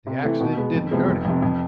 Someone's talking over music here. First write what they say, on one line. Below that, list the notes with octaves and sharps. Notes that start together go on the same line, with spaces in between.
The accident didn't hurt him.
C3
E3 A3
B2
G#3 B3
F2
C3 F3 G#3 B3
F1
F2 C3
F2